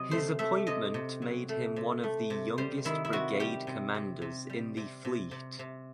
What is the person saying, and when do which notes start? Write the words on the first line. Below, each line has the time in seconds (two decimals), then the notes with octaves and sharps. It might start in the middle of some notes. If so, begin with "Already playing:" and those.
His appointment made him one of the youngest brigade commanders in the fleet.
Already playing: C3 F#3 D#5
0.11 A3 C5
0.39 A3 E5
0.67 C3 D#5
0.94 C3
1.22 F#3
1.49 A3
1.76 C3
2.03 A3
2.30 C3
2.58 G3 C5
2.85 D#3 E4
3.05 E4
3.13 C3 F#4
3.40 G3 G4
3.67 C3
3.95 C3
4.22 C3
4.50 G3
4.77 C3
5.05 C3
5.31 C3
5.59 C3